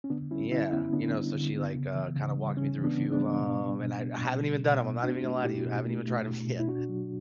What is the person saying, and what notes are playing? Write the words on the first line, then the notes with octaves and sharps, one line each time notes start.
Yeah, you know? So, she, like, uh, kinda walked me through a few of 'em, and I I haven't even done 'em, I'm not even gonna lie to you, I haven't even tried 'em yet.
C#4
D3 B3 D4
G3 C#4 E4
D3 C#4 E4
B3 C#4 E4
D3 B3 D4
G3
D3
B3
C#3
E3
C#3
G3
C#3 C#4
E3
B3 D4
C#3
B3 D4
G3
B2
G3
B2
B3
B2
G3
B2
B3
A3 D4 F#4
A3
B2 E4 G4
B2
A3
A3
B2
B2
E4
B2 D4 F#4
F#3